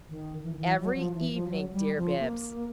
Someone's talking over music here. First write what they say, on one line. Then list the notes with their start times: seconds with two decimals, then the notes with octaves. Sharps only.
"Every evening, dear Bibbs!"
0.09 D#3
0.43 E3
0.52 D#3
0.59 E3
0.79 F#3
0.96 F3
1.14 E3
1.32 F3
1.49 F#3
1.73 G3
1.97 F3
2.20 A#3